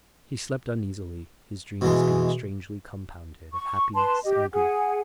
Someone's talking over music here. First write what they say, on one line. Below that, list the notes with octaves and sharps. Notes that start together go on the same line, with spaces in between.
He slept uneasily, his dreams being strangely compounded of happiness and grief.
B2 E3 G#3
C#6
B4 A5 C6
G4 D#5
G#4 F#5 G#5